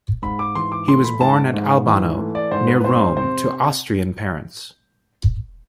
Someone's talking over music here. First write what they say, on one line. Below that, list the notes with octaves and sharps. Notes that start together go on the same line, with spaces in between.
He was born at Albano, near Rome, to Austrian parents.
G#2 B5
D6
E3 C6
D6
A3 C6
B5
G#2 A5
G#2
E3
A3
D5
G#2 C5
B4
F2 C5
C3 C5